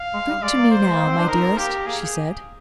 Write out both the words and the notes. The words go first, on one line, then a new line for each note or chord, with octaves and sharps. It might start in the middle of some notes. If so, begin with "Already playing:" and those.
'Drink to me now, my dearest,' she said.
Already playing: F5
G#3
G3
G#3 D5
A#3
C5
G#3
A#3
C4
D4
D#4 A#4
A#3 G4
A#3 G#4